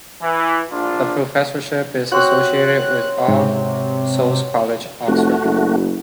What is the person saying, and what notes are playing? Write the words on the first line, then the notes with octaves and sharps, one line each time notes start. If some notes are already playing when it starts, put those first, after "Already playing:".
The professorship is associated with All Souls College, Oxford.
E3
A#1 D4 F4
C4 F#4 C#5 F#6
G#2 C3
F1 A3 F#4
F#1